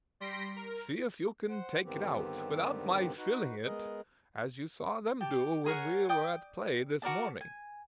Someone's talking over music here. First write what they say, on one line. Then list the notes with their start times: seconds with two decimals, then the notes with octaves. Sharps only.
'See if you can take it out, without my feeling it; as you saw them do, when we were at play this morning.'
0.20 G3 C6 A#6 B6 D7
0.56 A#4
1.50 C5 F#5
1.84 G2 D3 D#3 B3 C4 G4
3.17 D#4 F#4 B4
3.64 G#3 B3 G#4 A#4 D#5
5.21 G4 A5
5.66 G#4 A#4 C#5 F#5
6.09 D5 G5 D#6
7.02 F#4 A#4 D5 A5
7.41 G#5